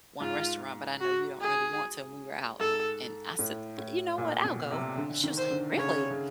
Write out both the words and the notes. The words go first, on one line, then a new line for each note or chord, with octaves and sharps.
one restaurant, but I know you don't really want to," and we were out, and I said, "You know what? I'll go," and she was like, "Really?"
G#2 F4
F#4
G#4
G#2 A4
A2
A2
A#2
B2
C3
D3
D#3
C5
D3
C#3 C#5
C#3